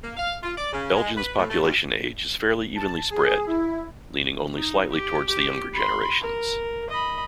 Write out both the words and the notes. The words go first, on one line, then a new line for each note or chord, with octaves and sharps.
Elgin's population age is fairly evenly spread, leaning only slightly toward the younger generations.
A#3
F5
F4
D5
C#3
G#3
B4
A2
A3
D2
A5
G#4
E4
D#4
G4
G4
B5 C6
A#4
D#5 B5